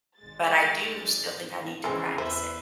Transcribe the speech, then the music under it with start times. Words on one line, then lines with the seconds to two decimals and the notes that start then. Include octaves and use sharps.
but I do still think I need to practice it.
0.18 G#1 G#3 A6
1.84 G#1 C#3 E3 G#3 C4
2.18 E2 B4 C5 E5